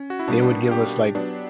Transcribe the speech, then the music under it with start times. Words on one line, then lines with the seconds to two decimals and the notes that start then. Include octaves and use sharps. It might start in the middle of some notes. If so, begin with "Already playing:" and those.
they would give us, like,
Already playing: C#4
0.10 F#4
0.19 E4
0.28 B2 G3 A#3 D4
0.71 G4
1.15 F#3 B3 D4